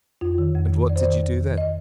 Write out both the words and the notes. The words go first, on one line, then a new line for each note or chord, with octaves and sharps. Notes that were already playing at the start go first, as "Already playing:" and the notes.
"And what did you do then?"
F2 F4
D#3
F2
D#3
F2 D5
C5
D#3 D5
F2
D#3
D#5